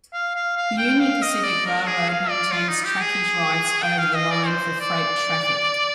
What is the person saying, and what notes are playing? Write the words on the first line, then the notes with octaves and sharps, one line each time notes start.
The Union Pacific Railroad maintains trackage rights over the line for freight traffic.
F5
F5
F5
G5
F5
D#5
D5
A#4
G#4
F5
D5
F4
D#4
G4
G#4
G5
F5
D#5
D5
C5
D5